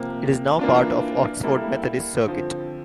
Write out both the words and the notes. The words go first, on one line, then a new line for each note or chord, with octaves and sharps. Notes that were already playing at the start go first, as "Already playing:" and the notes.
It is now part of Oxford Methodist Circuit.
Already playing: C3 F3 A#3
E3 A#3 D4 F4
G3 A#3 E4 A4
D3 F3 C4